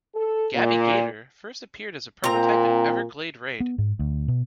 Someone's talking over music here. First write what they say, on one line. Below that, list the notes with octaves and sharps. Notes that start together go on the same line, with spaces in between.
Gabby Gator first appeared as a prototype in "Everglade Raid".
A4
A#2
A#2 C4 A#5
B3
G#2
D2
B2